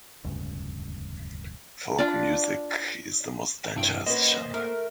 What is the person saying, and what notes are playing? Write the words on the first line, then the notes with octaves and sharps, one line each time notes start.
Folk music is the most dangerous genre.
E1 D2 G2 C#3
D4 F4 D5
G2 C3 E4 G5
A#3 B3 C#4 B4 C5 D#5
A3 A#4